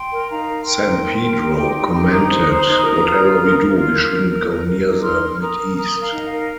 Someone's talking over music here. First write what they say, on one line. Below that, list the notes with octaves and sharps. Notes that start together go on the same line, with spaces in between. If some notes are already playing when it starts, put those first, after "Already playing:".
Sampedro commented, Whatever we do, we shouldn't go near the Mideast.
Already playing: G5 C6
A#4
D#4 F5 A#5
A#4
A#4 G5 C6
D#4
A#4
A#4
D#4
G4
D#4
G4
D#4 A#5 D#6
C5
C5
D#4
A#4
F4
F4
A#4
A#4
F4
A#4
A#4
A#4
A#4
A#4
D#4
A#4 C6 F6
A#4
A#4 A#5 D#6
A#4
A#4 A#5 D#6
A#4
F5 A#5
D#4
F5
A#4